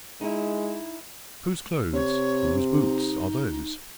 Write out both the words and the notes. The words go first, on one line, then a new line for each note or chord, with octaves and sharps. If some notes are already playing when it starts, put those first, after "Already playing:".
Whose clothes, whose boots, are those?
G#3 D#4 E4
C3 C#5
D#4